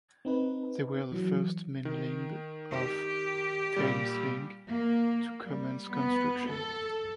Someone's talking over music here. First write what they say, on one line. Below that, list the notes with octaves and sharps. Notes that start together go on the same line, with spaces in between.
They were the first main limb of Thameslink to commence construction.
C4 D#4 B4
E3 F#3
D#3
G4
A#2 G3
A#3
G3
B3
A4